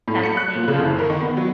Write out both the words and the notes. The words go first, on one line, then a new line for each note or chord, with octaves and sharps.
That's the thing about life.
A2
C#7
F#6
A#2
C#3
F#1
A#4
D#3
B3
F#3